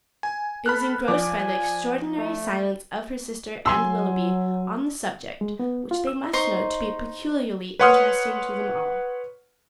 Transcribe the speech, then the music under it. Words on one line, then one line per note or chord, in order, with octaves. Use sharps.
It was engrossed by the extraordinary silence of her sister and Willoughby on the subject, which they must know to be peculiarly interesting to them all.
G#5
A4 B5 F6 F#6
F3 D5 G#5 D6
A3
F#3 G#5 C6 E6
G#3
B3
F4
E6
D#4 C5 C6 C#6
B4 C#5 F#5 C6 D#6 F6